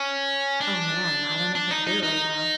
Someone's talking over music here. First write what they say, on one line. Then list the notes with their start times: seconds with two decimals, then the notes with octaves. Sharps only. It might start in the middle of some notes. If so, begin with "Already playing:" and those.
Oh, man, I don't know if I could do it right now.
Already playing: C#4
0.61 D4
1.55 D4
1.71 D#4
1.87 D#4
2.03 D#4